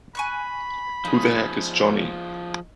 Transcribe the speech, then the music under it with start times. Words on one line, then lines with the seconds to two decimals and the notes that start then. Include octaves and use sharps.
Who the heck is Johnny?!
0.15 G#5 B5 C#6 F#6
1.05 F3 D#4 G#4